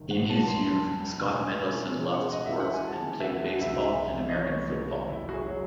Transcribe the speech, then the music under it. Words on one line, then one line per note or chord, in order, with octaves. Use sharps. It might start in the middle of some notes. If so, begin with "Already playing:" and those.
In his youth Scot Mendelson loved sports and played baseball and American football.
Already playing: F#1 D#3
F#5
F#2 A5
A5
C6
E2 A5
E1
E1 G#5
E1
G#3 F#5
D#5
E3 E5
F#5
G#5
G#3 A5
E5
E2 F#5
C2 E5
C2
D#5
E3 C#5
C2
F#1 E4
F#4
G#4
F#3